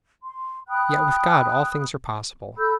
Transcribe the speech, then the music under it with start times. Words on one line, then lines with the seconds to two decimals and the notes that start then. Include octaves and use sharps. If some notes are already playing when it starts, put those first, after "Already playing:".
Yet with God all things are possible.
0.23 C6
0.68 G5 B5 D#6 F#6
2.58 A4 B5 E6 G6